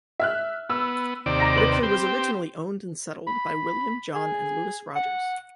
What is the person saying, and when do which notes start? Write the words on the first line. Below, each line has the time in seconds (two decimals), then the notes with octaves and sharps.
Ripley was originally owned and settled by William, John, and Lewis Rodgers.
0.20 E5 F6 F#6
0.70 B3 E6
1.26 D#2 C3 D5
1.40 A#5 A#6
1.56 B4 C6 F#7
1.83 C4 G4
3.27 B5
4.15 G#4
4.96 F#5